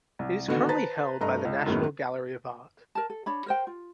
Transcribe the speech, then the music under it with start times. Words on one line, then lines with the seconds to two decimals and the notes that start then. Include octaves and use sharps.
It is currently held by the National Gallery of Art.
0.19 C2
0.48 A1 D3 D#3 B3 F#4
0.69 B4 C5 A5 A#5 A6
1.21 G2 A3 D#5 A#5
1.45 C#2
1.66 F#2 A2 D#3 G#3 A#3 B3
2.95 A#4 A5
3.10 A4
3.26 D4 C#5 B5
3.46 A#4 C5 G5
3.67 F4